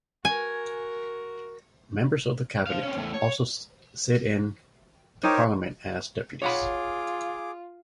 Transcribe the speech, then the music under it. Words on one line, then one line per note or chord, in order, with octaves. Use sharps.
Members of the cabinet also sit in the parliament as deputies.
F#4 A#4 G#5
C5 F5
C4 C#4
E2 A3
C#5
D#4 G4 A#4 C5 C#5
F4 G#4 C#5 F#5 B5 D6